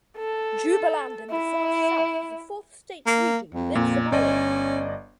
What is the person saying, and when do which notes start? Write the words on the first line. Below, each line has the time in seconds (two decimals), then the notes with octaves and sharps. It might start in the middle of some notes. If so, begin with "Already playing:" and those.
Jubaland in the far south is a fourth state region within Somalia.
0.17 A4
1.31 E4
3.06 A#3
3.55 F2
3.75 A#2
4.12 G1 C#4 D5 D#5